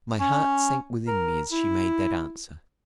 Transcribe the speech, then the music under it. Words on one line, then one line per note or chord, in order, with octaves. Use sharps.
My heart sank within me as she made that answer.
C#4
A#4
E4